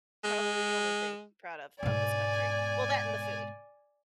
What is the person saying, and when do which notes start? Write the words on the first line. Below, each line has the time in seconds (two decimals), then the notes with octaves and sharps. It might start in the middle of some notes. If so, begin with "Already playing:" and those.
probably the only thing to be proud of about this country. Well, that and the food.
0.24 G#3
1.83 G#2 B2 D5 G#5